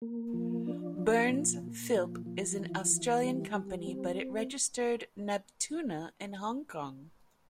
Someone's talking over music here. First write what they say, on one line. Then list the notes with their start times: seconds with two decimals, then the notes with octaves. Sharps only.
Burns, Philp is an Australian company but it registered "Neptuna" in Hong Kong.
0.02 A#3
0.34 F3
0.67 D4
0.99 F3
1.30 A#2
1.62 A#2
1.94 F3
2.26 F3
2.58 E3
2.90 E3
3.22 G3
3.54 G3
3.87 C4